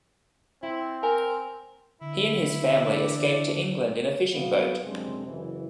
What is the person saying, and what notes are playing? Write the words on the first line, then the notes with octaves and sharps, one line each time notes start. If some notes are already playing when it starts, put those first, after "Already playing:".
He and his family escaped to England in a fishing boat.
C4 E4
A#4 G#5
D3 E4
E3 D4 D5
F#3 G3 B3 F#4 F5
F#2 C3 G#3 C4 D4
F#1 E3